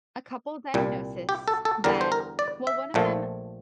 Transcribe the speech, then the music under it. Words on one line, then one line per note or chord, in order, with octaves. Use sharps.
a couple diagnosis that well, one of them
C2 A#2 G3
G4
A4
A4
E2 D3 G3 A#4
C5
A#4
D5
E5
A#1 A#2 F3 A3